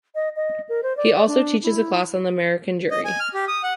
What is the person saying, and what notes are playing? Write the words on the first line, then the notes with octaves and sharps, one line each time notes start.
He also teaches a class on the American Jury.
D#5
D#5
A#4
C5
D5
D4
E4
D#5
G#5
F6
G4
D#6
F#5